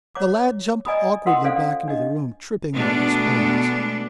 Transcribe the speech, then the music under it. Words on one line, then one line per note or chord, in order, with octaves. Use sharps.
The lad jumped awkwardly back into the room, tripping over his spurs.
C#5 A#5 D6
D5 D#5 G#5 A#5 B5 D#6
F4 A#4 F#5 C6 D#6
C#4 A4 C5 D5 F5
D4 D#5
B2 G#3 A3 B3 D4